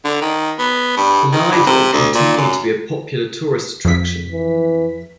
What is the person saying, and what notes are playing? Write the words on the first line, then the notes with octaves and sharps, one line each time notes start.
The lido continued to be a popular tourist attraction.
D3
D#3
B3
G2
D#3
G2
C3
D2
A#2
F#2
F2 B6
E3